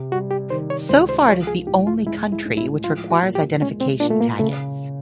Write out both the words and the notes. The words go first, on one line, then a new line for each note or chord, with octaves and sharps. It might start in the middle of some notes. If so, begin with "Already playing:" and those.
So far it is the only country which requires identification taggants.
Already playing: C3
G3 F#4
G4
D#3 C5
C#5
C#2 C5
C5
F3 C#5
G#4
A2 G4
F4
G#3 E4
E4
A2
E4
F3 F4
F#4
A#2
G4
G#3 C#4
C4
A#2 D4
A3
A#3
C#3 A3